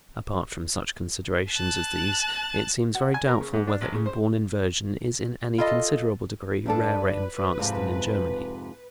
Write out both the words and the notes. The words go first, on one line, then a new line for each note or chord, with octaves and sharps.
Apart from such considerations as these it seems very doubtful whether inborn inversion is in any considerable degree rarer in France than in Germany.
A5 F#6
F#4
G#5
A#4
C#3
G#2
D4
A1
C#3
C5
F4 A4 D#5
G2 D4 A4 B4
F2 G#2 C3